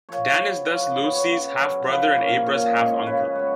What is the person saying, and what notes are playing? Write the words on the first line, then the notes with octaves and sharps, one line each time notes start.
Dan is thus Lucy's half-brother and Abra's half-uncle.
F3 C#5
B3
F3 C#5
B4
B3 C#5
C#5
C#3 C#5
F#3 C#4
F3 B4
A#3 C#4
A#2 C#5
D#5
G#3 C#4
C#5
C#3 B4
G#3 B3 C#5